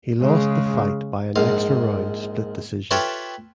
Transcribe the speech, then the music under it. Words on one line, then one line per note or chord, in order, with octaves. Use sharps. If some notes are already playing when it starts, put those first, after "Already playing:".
He lost the fight by an extra round split decision.
C#3 G#3
A#1 G#2 F5
F4 G4 A4 B4 C#5 E5